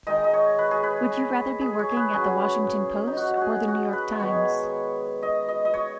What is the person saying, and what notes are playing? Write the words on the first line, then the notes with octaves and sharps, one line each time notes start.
Would you rather be working at "The Washington Post" or "The New York Times"?
D#3 G#3 D#4 D#5
D#5
C#5
B4
G#4
B4
G#4
C#5
G#4 B4
C#3 F#3 C#4 G#4
D#4
F#4
F#4 G#4
F#4
B4
D#3 G#3 B3 D#4 C#5
D#5
D#5
D#5
C#5